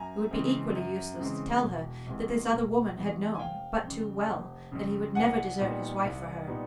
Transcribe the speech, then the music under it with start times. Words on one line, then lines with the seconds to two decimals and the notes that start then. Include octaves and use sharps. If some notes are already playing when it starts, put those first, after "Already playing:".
It would be equally useless to tell her that this other woman had known, but too well, that he would never desert his wife for her.
Already playing: F#2 G#5 A#5
0.31 C#3 E3 G#3 C4
0.76 F#2
1.20 C#3 E3 G#3 C4
1.63 E1
2.07 E2 C3 E3 G#3
2.52 E1
2.95 E2 C3 E3 G#3
3.35 G#5
3.39 F1 F5 G5
3.84 F2 C#3
4.27 F1
4.72 F2 C#3
5.15 C2 F#5 G#5
5.59 A#2 G3 B3 D#4
6.04 C2
6.47 A#2 G3 B3 D#4